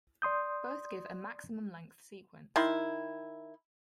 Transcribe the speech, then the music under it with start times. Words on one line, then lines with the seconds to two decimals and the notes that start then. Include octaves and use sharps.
Both give a maximum-length sequence.
0.22 D5 C6 D#6 G6
2.56 D#3 E4 C6